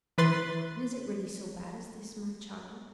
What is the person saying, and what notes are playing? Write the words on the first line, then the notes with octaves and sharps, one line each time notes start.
And is it really so bad as this, my child?
E3 B4 C6 A6